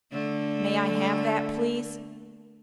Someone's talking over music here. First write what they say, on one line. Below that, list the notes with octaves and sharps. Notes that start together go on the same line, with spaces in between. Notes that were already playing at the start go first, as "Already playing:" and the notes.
"May I have that please?"
D3 A3